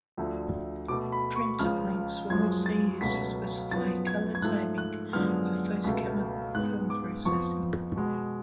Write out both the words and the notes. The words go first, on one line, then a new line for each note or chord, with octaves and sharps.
Printer points were also used to specify color timing for photochemical film processing.
D2 D3 F3 A3
B2 A3 D6
B5
C#6
C#2 C#3 F3 G#3 F6
F#2 F3 G#3 G#6
A6
C#2 B2 F#3 A3 B6
F#2 F3 B3 A6
G#6
G#6
G#2 F3 A3 F#6
F#6
F#2 D3 F3 G#3 B3 F6
C#2 B2 A3
G#2 G#3 B3 F#6
D6
F2 F3 B3 C#6
B2 G#3 B3